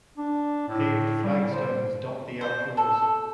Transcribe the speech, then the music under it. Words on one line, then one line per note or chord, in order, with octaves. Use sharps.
Paved flagstones dot the outdoors.
D4
A2
G3
C5
C5
A4